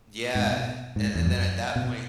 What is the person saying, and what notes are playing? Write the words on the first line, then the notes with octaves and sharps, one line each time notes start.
Yeah. And and then at that point,
G#2
B2
G#2
E2
F#2
B2